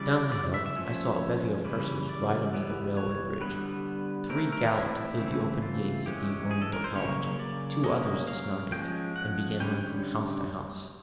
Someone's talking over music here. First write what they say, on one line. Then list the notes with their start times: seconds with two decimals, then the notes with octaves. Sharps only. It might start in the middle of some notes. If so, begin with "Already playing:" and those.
Down the hill I saw a bevy of hussars ride under the railway bridge; three galloped through the open gates of the Oriental College; two others dismounted, and began running from house to house.
Already playing: C#3 E3 G3 D5
0.32 D5
0.54 E5
0.66 E5
0.76 F3 A3 C#4
1.64 C#3 E3 G3
2.09 D5
2.53 E3 G3 B3
2.97 C#5
3.41 D3 G3 B3 B4
4.29 E3 A3 C4 A#4
4.52 A#4
4.74 E4
5.18 C#3 E3 A3 C4
5.62 F4
6.06 E3 G#3 C#4 G4
6.51 G#4
6.62 A4
6.73 A#4
6.84 C5
6.95 C#3 F#3 A#3 C#4 C#5
7.39 D5
7.84 F#3 A#3 C#4 D#5
8.27 F5
8.72 F3 G#3 C#4 G5
9.16 F#5
9.60 D3 G3 A#3 C#4 G5
9.79 G5